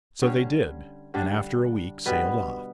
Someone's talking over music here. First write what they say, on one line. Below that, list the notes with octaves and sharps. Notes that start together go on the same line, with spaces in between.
So they did, and after a week sailed off.
D3 G3 C#4 C#5
D3 G3 D4
B2 G3 B3 B4